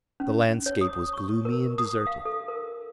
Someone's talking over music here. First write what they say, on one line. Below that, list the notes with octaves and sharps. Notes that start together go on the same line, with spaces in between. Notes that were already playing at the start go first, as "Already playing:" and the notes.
The landscape was gloomy and deserted.
C#4
C#5
D#6
C#6
A#4
D#6
F5
A4
A#4